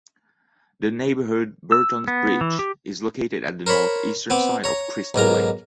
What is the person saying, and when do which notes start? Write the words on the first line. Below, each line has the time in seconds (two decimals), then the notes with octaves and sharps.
The neighborhood Burtons Bridge is located at the north-eastern side of Crystal Lake.
1.72 E6
2.08 B3
2.41 E3
2.59 G4
3.67 A#4 C5 C#5 B5
4.30 B3 C4 D6
4.64 C#5 A#5
5.14 B1 G#2 A#4 A#5